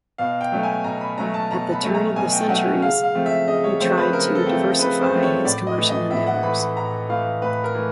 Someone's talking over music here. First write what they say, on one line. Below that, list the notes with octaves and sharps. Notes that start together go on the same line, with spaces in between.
At the turn of the centuries he tried to diversify his commercial endeavors.
B2 F5
G5
F#3 A3 C#4
G#5
B2 A#5
B5
F#3 A3 C#4 A#5
A5
B2 A#5
B5
F#3 A3 C#4
A#5
B2 G#5
G5
F#3 A3 C#4 F#5
C#3 F5
F5
F3 A3 C4
E5
C#3 D#5
C#5
F3 A3 C4 C5
B4
C#3 A#4
A4
F3 A3 C4
C#3 B4
C5
F3 A3 C4
C#5
A2 D5
D#5
E3 A3
D#5
A2 E5
F#5
E3 A3 B5
B5
A2 A#5
E3 A3 F5
A2 B4
A#4
E3 A3